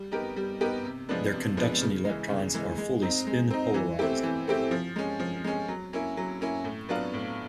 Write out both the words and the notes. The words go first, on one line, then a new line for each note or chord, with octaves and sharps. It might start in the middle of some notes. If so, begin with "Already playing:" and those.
Their conduction electrons are fully spin-polarized.
Already playing: G3
B3 D#4 G4 A#4
G3
B3 D#4 G4 A#4
C3
F3 G#3 B3 D4
C3
F3 G#3 B3 D4
C#3
E3 G#3
C#3
E3 G#3
G#3
C4 D#4
G#3
C4 D#4
E3
A3 C4 E4 G4
E3
A3 C4 E4 G4
F3
G#3 C#4
F3
G#3 C#4
F#3
A#3 C#4 E4
F#3
A#3 C#4 E4
A2
F#3 B3 D4 F4
A2